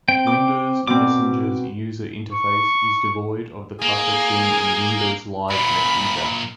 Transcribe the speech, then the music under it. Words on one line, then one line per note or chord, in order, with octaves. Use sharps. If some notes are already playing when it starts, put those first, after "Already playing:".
Windows Messenger's user interface is devoid of the clutter seen in Windows Live Messenger.
C4 G5
D6
B2 C4 D6
C#6
A#3 G#4
F#2 A#2 B5